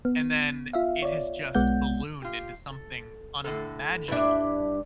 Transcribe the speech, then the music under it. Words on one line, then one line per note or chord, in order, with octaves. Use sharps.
and then, it has just ballooned into something unimaginable,
B3
F4 E5 F5
C#5 D5
B1 G#3 B3 F#5 G6
F4 G4
A4
A2 D3 A4
G2 D4 E4 E5